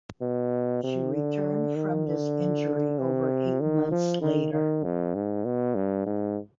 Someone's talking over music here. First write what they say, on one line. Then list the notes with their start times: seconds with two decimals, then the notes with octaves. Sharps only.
She returned from this injury over eight months later.
0.21 B2
0.83 C3
1.14 D3
1.75 D#3
2.07 D3
2.98 C3
3.61 D#3
3.91 F3
4.22 D#3
4.52 D#3
4.84 F2
5.15 G#2
5.45 B2
5.75 G2
6.06 G#2